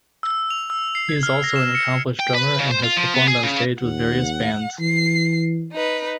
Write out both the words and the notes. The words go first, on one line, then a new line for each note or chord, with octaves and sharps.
He is also an accomplished drummer and has performed on stage with various bands.
E6
F7
E6
C7
G#6
F6
A#6
E7
C#7
G5
B4
C#3
C5
F4
F3
B3
G#4
C#3
D#2 F#5
E3 C7
D#4 B4